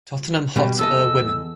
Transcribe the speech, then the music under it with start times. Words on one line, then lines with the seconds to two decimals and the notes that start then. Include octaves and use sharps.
Tottenham Hotspur Women.
0.56 B2 G3
0.79 E2 A4 D#5 E6